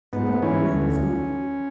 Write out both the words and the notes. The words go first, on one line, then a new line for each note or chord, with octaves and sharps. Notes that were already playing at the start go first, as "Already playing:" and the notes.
The Pope remained firm.
G#2 B3
E3 C#4
D2